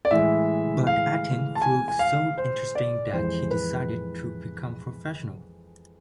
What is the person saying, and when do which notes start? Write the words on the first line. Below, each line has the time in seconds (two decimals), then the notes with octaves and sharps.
But acting proved so interesting that he decided to become professional.
0.05 D5
0.11 A2 E3 G#3 E5
0.87 F5
1.55 A5
1.62 G#5
1.88 G#5
1.99 F5
2.37 C5
2.75 D5
3.13 F2 E3 G#3 C5
3.51 B4